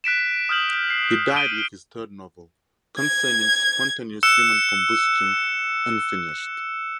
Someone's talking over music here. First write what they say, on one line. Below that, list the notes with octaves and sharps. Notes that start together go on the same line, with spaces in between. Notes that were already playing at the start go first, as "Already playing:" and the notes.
He died with his third novel, concerning spontaneous human combustion, unfinished.
F#6 B6 D7 E7
D#6 F6 G6 F#7
C7
D7 D#7 G7
G#6
E6 F#6 C#7 E7